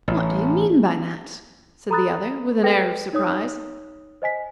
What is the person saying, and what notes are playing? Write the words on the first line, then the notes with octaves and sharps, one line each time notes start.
"What do you mean by that?" said the other, with an air of surprise.
A1
A4 A#5 B5 D#6 F#6 A6
A4 B4 G5 A#6
D#4 C#5 D#6
C5 D#5 G#5 B6